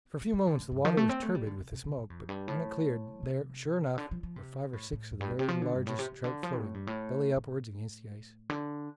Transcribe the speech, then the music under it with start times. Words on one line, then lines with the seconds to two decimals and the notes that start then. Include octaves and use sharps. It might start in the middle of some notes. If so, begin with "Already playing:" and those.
For a few moments the water was turbid with the smoke, but when it cleared, there, sure enough, were five or six of the very largest trout floating, belly upward, against the ice.
0.21 F3
0.34 G3
0.47 D3
0.60 A2
0.72 G2
0.85 F3
0.97 A3
1.09 C4
1.22 A3
1.35 G3
1.47 D3
1.60 C3
1.72 C3
1.85 C3
1.97 G2
2.10 F2
2.29 G2
2.48 A2
3.23 C3
3.98 D3
4.11 F3
4.23 F3
4.36 C3
4.73 A2
4.93 A2
5.11 F2
5.21 G2
5.31 A2
5.39 C3
5.48 F3
5.62 D3
5.74 G2
5.87 A2
5.99 C3
6.12 C3
6.24 D3
6.43 F3
6.61 A2
6.74 G2
6.87 A2
7.37 A2
8.50 D3